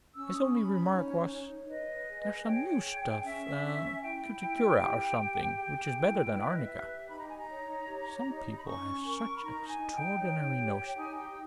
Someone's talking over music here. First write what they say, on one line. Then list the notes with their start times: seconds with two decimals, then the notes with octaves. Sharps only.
His only remark was, "There's some new stuff, cuticura or something, which is better than arnica." Some people have such extraordinary notions of humor.
0.15 C#4 E6
0.26 C#6
0.34 D#6
0.53 C#4 B5
0.72 B5
0.92 D#4 C#5
1.30 C#5
1.69 B4 D#5
2.08 G#4
2.46 C#5 G5
2.85 G#4
3.24 C#4 E5
3.63 C#4
4.01 E4 G5
4.40 E4
4.78 G4
5.17 G4
5.55 G#4
5.95 E4
6.33 B4 G5
6.40 E5
6.48 D#5
6.56 E5
6.72 G4
7.10 D#4 B5
7.19 A#5
7.28 G#5
7.36 A#5
7.49 C#5
7.87 G4
8.26 D#4
8.56 B5
8.65 C#4 C#6
9.04 A#4
9.36 B5
9.42 D#4 A#5
9.68 G#5
9.81 D#4
9.94 G5
10.19 C#5 G5
10.58 G4
10.97 D#4 G#5
11.17 G5